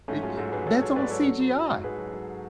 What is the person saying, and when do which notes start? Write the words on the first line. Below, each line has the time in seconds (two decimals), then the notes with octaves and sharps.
i y that's all CGI.
0.08 G#2 A3 C#4
0.22 F#3 F4 G#4
0.37 G#2 F#4 A4
0.52 G#2 G#4 B4
0.67 G#2 A4 C#5
0.81 F#3 A4 C#5
0.96 G#2 B4 D5
1.10 F#3 A4 C#5
1.26 F#3
1.40 F#3
1.55 F#3
1.69 G#2
1.84 G#2 G#4 B4
1.99 F#3
2.13 F#3